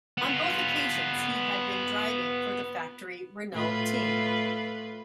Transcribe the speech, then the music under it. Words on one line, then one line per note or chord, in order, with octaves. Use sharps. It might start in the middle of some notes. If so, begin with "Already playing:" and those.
On both occasions he had been driving for the factory Renault team.
B3 F4
A2 F4 B4